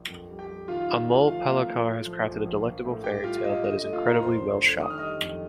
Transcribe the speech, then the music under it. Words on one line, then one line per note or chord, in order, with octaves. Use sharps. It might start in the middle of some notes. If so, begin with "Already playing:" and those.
Amol Palekar has crafted a delectable fairytale that is incredibly well-shot.
Already playing: A#1
F2
G3
G4 G5
G3
D#3 F4 F5
D#3
A3
F3 F4 F5
A#3
A#3
A2
F3
A#1
A#1
A#1
A2
G3 G4 G5
G3 F4 F5
F5
A2 D#5
D3 D#5
D#5
A3
F4 F5
A3
A#4 A#5
F1 C5 C6
D3
D3
D#3 D#6
F6
G3 D#5 D#6
F2